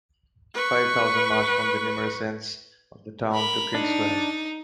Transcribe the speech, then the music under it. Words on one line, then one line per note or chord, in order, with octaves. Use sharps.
Five thousand marched from numerous ends of the town to King Square.
B4 C#6
A#4 B5
D4 D#4